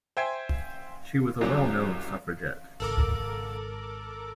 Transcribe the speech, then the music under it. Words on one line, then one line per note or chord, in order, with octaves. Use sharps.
She was a well-known suffragette.
C5 E5 G5 G#5 C6 G#6
C2 F#3 C#4 D6
G#1 G#2 C#3 A4 A#4 D6 E6